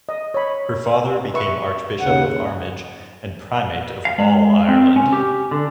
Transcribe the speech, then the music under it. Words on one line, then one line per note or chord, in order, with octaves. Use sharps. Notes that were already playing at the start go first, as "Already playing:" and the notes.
Her father became Archbishop of Armagh and Primate of All Ireland.
D#5
C#5 B5
B4 E5 C#6
D#2 C#3 F#5
F5
G#3
C4
C#4
G4
D3